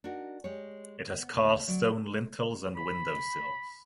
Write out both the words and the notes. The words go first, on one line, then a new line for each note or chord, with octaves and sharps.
It has cast stone lintels and window sills.
D4 D#4 F#4 A#4
G#3 G4 C#5
B3
D2 C3 A#3
D2 F#3 D5
B5